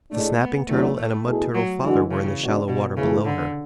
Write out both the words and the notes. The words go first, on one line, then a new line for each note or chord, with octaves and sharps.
The Snapping Turtle and a Mud Turtle Father were in the shallow water below her.
A2 G#3 A3 D4
B3
E2 D3 F#3 A3
A3
B2 A3 E4 G#4
F#3
D3 E3 G#3 D4 F#4
C#3
B2 G#3 D4 F#4
B2
A2 C#3 E3 A3 E4 G#4
D3